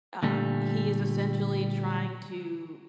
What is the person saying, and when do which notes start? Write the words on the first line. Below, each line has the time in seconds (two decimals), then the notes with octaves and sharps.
um, he is essentially trying to
0.23 A#2 D3 G3 A3